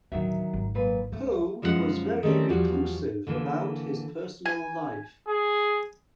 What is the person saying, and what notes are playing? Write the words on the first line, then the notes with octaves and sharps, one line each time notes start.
Poe was very reclusive about his personal life.
D1 D#3 F#3 A3 E5
G#1
F#2 A#2 B4
C#2 A3
F#2 F3 G#3 F#4 F#5
D#3 G3 A3 C4 C#4
E2 F3 G3 F#4
D3 E3 A#3
G#5
G#4